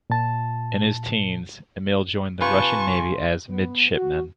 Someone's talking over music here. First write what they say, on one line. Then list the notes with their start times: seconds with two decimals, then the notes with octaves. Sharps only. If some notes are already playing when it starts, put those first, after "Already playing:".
In his teens, Emil joined the Russian Navy as a midshipman.
0.10 A#2 A5
2.41 C3 F4 B4 G#5 A5 C#6
3.48 B3
3.93 F#4